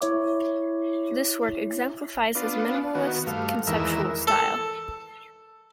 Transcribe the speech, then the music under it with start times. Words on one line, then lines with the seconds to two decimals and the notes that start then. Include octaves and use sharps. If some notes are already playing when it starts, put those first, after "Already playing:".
This work exemplifies his minimalist, conceptual style.
0.01 E4 C#5 E5 D6
2.35 B3 D4 F4
2.95 D#3 B3 F#4
3.27 G2 A3 F5
3.67 E2 D#3 E3 G#3 A#4 E6
4.27 A4